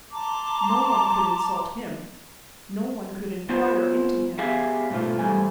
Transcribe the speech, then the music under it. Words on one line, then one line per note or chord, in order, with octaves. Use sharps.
No one could insult him; no one could inquire into him.
A5 A#5 C6 D6
B3 F4 C5
B3 G4 G#4 E5 F5
G#2 B2 A3 F4
E2 G#2 G3 A3 G#5